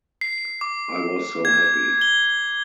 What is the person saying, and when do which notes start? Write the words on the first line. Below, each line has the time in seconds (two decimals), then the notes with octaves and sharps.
I was so happy.
0.21 C7
0.61 D6
1.45 G#6
2.01 G7